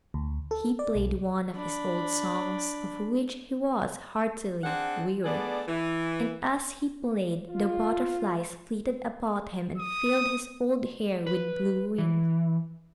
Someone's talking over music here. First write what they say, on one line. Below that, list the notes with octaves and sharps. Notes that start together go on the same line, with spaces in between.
He played one of his old songs, of which he was heartily weary, and, as he played, the butterflies flitted about him and filled his old hair with blue wings.
D2
A4
D5
B1
D4 B5
C4 D4 G#4 F#5
A3 B3 D4 G#4 D5
E3
F4
D#6
B4
E3